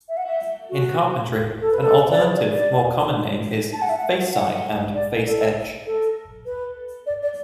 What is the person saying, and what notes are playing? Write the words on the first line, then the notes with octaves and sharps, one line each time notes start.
In carpentry, an alternative, more common name is "face side" and "face edge".
E5
F#5
E5
F#4
A4
B4
A4
D5
B4
D5
D5
A5
F#5
E5
F#5
F#5
D5
A4
A4
B4
D5
D5